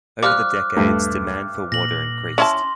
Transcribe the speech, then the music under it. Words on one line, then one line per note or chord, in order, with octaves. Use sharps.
Over the decades, demand for water increased.
F3 G3 D6 F6 F#6
D#1 G2 A3
A#2 A#6 F#7
C#4 E4 A5 C6